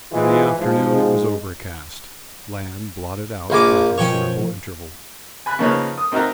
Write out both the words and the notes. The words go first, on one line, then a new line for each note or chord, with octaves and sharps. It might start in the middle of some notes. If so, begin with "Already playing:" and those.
In the afternoon it was overcast; land blotted out for a considerable interval.
G#2 E3 G#3 F4
G#2 F3
A#1 A#4 F5 G#5 C#6 D6
B2 F3 C#4 C#5 G5
G#5 B5 F#6
C#3 F3 A#3 D#4 B4 C#5
D#6
C4 D#4 F#4 A#4 E5 A#5